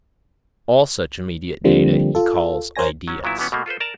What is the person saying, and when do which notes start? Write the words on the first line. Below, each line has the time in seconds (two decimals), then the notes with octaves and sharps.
All such immediate data he calls 'ideas'.
1.64 D3 F3 G3 A#3 C4
2.15 F4 A4
2.76 A#4 C5 C#5 G#5 A#6
3.08 F#3 C#4
3.24 A#2 F#3 B3 E4
3.39 B2 E3 B3 C#4
3.52 B2 A3 A#3
3.66 F4 A4 B4 C5
3.80 A#4 D5 A5 A#5